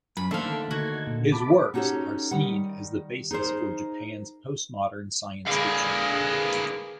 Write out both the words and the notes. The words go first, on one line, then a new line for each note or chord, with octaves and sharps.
His works are seen as the basis for Japan's postmodern science fiction.
F#2 B5
D#3 A3 A#3 D4 A4 C5 E5 F5
D3 A3 D#4 F#4 G#6
A#2 A#3
A5 B5 D6
C#4 D#4 F#4 G4 A4 C#5
D#3 G3 F#5
D#4 G#4 A#4 C5
D3 A#3 G#4 B4 F5